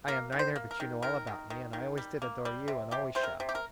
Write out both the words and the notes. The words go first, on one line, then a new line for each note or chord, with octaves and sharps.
I am neither; but you know all about me, and I always did adore you and always shall.
A#3 A#4
D#3
C5
A#3
A#4
D#3
D#3 A#4
D#3
D#3
D#3
G3
A#3
G3
C3
C3 G4
C3 C5
A#4
C3
G4
A#4